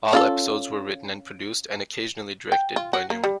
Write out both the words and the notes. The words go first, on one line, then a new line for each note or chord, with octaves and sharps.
All episodes were written and produced, and occasionally directed, by Newman.
C#4 F4 A4
G5
F4
F#4
A#3
G3